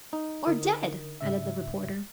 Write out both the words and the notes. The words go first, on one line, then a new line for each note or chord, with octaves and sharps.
"Or dead!" added the reporter.
D#4
D3 A#4 D#6
G#2 C#3 E5